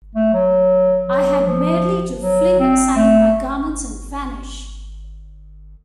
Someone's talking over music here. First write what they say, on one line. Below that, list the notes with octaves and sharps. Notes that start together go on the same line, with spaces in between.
I had merely to fling aside my garments and vanish.
A3
F#3
F#3
F3
F#3
C4
A3